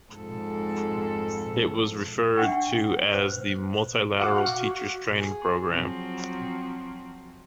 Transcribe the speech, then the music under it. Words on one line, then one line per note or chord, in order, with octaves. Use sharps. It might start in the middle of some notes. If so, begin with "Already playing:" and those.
It was referred to as the Multilateral Teachers' Training Programme.
F2 G#2 A4
D4 E5 F#5 G5 C#6
B4 C5
F#4 F5 F#5 D6
G#4
F3 F#3 C4